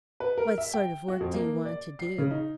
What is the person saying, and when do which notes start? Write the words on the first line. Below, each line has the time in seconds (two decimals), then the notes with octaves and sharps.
"What sort of work do you want to do?"
0.20 B4
0.38 A#4
0.58 E5
0.74 G5
1.08 F#4
1.20 F2
1.34 A#3
1.65 D5
1.99 C7
2.18 C#3
2.31 D#4